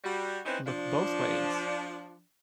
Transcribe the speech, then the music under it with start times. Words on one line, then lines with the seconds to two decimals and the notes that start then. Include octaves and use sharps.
Look both ways.
0.04 G3 F#4
0.46 C4 C#4 D#4 E4 B4 C5
0.67 F3 D4